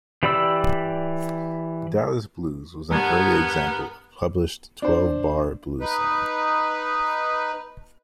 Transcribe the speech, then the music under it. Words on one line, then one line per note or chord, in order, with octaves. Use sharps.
"Dallas Blues" was an early example of published twelve-bar blues song.
E3 G4 D5 B5 E6
G2 B3 A#4 G#5 A#5
D4 C5
D#4 B4